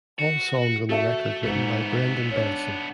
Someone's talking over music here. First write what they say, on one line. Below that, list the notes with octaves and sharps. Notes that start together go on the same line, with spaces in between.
All songs on the record written by Brendan Benson.
F#4
A3 F#4 A4 E5
G#2 A3 B3
D4 C#5